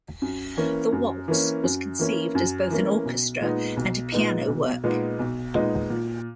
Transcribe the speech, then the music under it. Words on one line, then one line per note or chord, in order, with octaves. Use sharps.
The waltz was conceived as both an orchestra and a piano work.
F#2
E3 A#3 C#4
F#2
E3 A#3 C#4
F#2
E3 A#3 C#4
F#2
E3 A#3 C#4
B1
A#2 G#3 B3 D#4
B1
A#2 G#3 B3 D#4
B1
A#2 G#3 B3 D#4
B1
A#2 G#3 B3 D#4
A#2